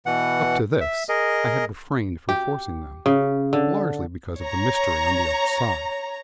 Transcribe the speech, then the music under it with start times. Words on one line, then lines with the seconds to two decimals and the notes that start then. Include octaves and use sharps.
Up to this, I had refrained from forcing them, largely because of the mystery on the other side.
0.06 B2 E3 F#5
0.81 E5
1.09 G#4 A#4 D#5
2.29 G4
3.06 C#3
3.53 D3
4.40 C#5 A#5